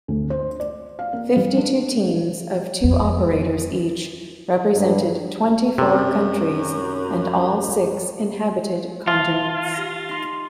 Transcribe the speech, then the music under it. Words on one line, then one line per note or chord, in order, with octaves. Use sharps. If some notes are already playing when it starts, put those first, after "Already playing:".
Fifty-two teams of two operators each represented twenty-four countries and all six inhabited continents.
D2
C5
D5
F5
A#3
G3
D4
F2
G2
F#2 C3
F4 E5 A5
G4 A#6
D#4 C6